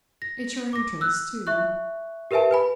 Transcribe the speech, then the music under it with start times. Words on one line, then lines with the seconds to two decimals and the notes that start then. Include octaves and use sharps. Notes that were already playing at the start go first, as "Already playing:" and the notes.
"It's your interest, too."
0.22 A#6
0.73 D6 A#6
1.01 E6 F#6
1.47 E5 C#6 F#6
2.31 G4 A#4 B4 E5 G#5 A5
2.51 B4 G#5 B5